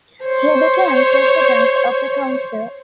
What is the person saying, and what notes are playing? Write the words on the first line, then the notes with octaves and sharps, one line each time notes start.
He became president of the council.
C5 C#5